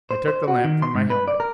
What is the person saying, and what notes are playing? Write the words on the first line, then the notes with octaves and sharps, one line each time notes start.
I took the lamp from my helmet.
C5
C5
F#4
D#3
C6
G#2
B4
D5
A#4